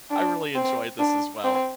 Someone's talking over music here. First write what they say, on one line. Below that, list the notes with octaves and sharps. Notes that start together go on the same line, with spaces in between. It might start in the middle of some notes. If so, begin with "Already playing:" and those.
I really enjoyed this as well.
D4
C4
D4
C4